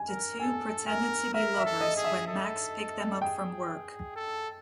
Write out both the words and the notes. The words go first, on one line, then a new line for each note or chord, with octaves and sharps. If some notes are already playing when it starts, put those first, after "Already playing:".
The two pretended to be lovers when Max picked them up from work.
Already playing: G#5
A#4
A4 G#5
A#4 G#5
A#4 E5
E5
A4
D#5
G#4
E5
A4
G#4 G5
A4